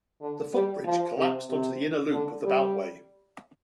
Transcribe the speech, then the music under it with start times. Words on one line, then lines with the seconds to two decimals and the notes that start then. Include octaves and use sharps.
The footbridge collapsed onto the inner loop of the Beltway.
0.21 D3
0.54 G3
0.84 F3
1.18 C3
1.49 C3
2.13 D3
2.45 G3